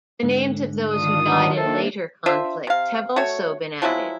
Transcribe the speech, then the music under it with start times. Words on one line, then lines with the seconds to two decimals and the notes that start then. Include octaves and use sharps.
The names of those who died in later conflicts have also been added.
0.23 G#2 D3
0.91 D#3 D4 F4 D#6
1.26 B3 D4 D#4
1.57 D#3 A#3 D4 A4 C5 D#5 E5
2.26 D4 F4 C5 E5
2.67 C3 F5
3.16 A3 F#4 C#5
3.82 F3 F#3 G#3 E4